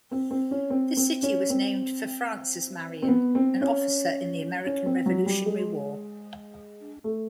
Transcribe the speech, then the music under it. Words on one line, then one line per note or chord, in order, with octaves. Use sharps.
The city was named for Francis Marion, an officer in the American Revolutionary War.
C4
C4
C#4
C4
C4
C#4
C4
C4
B3
C4
C#4
C#4
C4
F#3
G3
G#3
A3